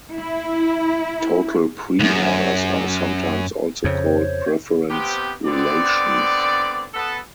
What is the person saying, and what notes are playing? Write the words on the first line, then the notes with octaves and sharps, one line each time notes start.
Total preorders are sometimes also called preference relations.
E4
C#2 F#2
F2 C#3 C5 C#5
C3 B3 C4 G4
D3 B3 C4 D5
B3 A4